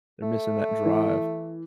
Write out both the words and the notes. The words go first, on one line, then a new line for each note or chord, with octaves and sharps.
They're missing that drive,
A3
E3